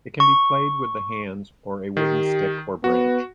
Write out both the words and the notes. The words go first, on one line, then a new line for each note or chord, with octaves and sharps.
It can be played with the hands or a wooden stick or branch.
C#6
D#3 G4
B3 F#4